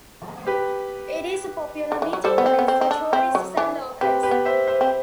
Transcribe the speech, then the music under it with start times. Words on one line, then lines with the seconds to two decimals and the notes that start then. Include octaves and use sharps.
It is a popular meeting place for tourists and locals.
0.47 G4 B4
1.92 D3
2.02 E3
2.13 F#3
2.24 G3 A4 C5
2.38 B3
2.46 C4
2.59 B3
2.68 C4
2.81 C4
2.91 D4
3.13 C4
3.35 F#3
3.57 E3
4.01 C4 G4 B4
4.23 G4 B4
4.31 B3
4.45 C5 E5
4.67 C5 E5
4.81 C4